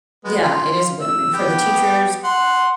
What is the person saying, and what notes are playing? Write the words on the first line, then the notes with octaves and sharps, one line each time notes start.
Yeah, it is win-win, for the teachers,
G#3 B3
F4
E6
B3 G4 G5
F#5 C6